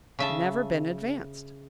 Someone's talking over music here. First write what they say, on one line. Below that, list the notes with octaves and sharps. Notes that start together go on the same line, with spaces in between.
Never been advanced.
C#3 E5 A5